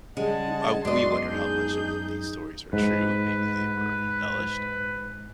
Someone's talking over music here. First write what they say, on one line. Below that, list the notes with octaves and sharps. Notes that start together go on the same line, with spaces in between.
uh we wonder how much of these stories are true, maybe they were embellished,
C#3 G3 G#3 D#5 F#5 A5
F#2 G#3 B3 D4 F#4 D#5 C6
D#4 G#4 G6
G#2 B4